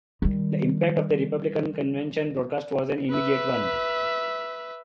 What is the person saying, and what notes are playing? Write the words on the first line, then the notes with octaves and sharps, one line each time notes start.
The impact of the Republican Convention broadcast was an immediate one.
D#3 G3
B4 E5